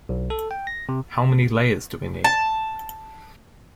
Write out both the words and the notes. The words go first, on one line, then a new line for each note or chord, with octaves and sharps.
How many layers do we need?
B1
A4
G5
A#6
C3
A5